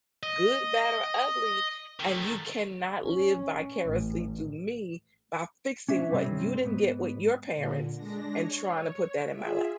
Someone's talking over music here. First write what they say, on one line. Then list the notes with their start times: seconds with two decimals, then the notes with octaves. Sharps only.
good, bad, or ugly, and you cannot live vicariously through me by fixing what you didn't get with your parents and tryna put that in my lap.
0.23 D#5
2.00 D#3 A3
3.06 C#4
3.85 A1
5.89 C#4 D4 E5
6.11 G2 C3 G3 A#3 C4 C#4
6.65 G#2 B3
7.52 A#2 D3
7.95 G#3 D4 A#6
8.35 C#5
9.30 F4 G#4 E5